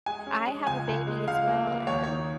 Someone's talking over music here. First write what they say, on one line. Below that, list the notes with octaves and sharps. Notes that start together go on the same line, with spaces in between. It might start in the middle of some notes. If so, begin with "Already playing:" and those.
I have a baby as well, and
G#3 G#5
C#4
G#3
C#2 G#5
C#2
G#3
C#2 F5
A#3
A#3
D#2 C#5
D#3 C#5